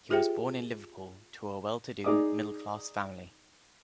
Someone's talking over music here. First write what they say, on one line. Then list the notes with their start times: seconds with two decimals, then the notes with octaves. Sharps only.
He was born in Liverpool to a well-to-do middle-class family.
0.10 F4 G4 G#4 C5 E5 G5
2.04 D#4 G#4 D5 D6 D#6